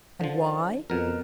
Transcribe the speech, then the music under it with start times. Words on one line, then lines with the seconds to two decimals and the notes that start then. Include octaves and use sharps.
And why?
0.21 D3 F3
0.90 F2 B2 A#4